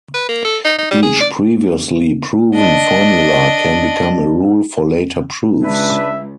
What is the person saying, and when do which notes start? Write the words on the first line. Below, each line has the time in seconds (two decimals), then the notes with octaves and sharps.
Each previously proven formula can become a rule for later proofs.
0.14 B4
0.29 A#3
0.45 A4
0.65 D#4
0.78 D#4
0.91 G3
1.02 G#4
1.20 D5
2.55 D4 D#5
5.64 C#2 D4 B4 E5